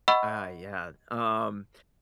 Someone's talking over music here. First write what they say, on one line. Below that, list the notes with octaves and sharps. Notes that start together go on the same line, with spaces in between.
I yeah, um,
D#5 F#5 B5 C#6 E6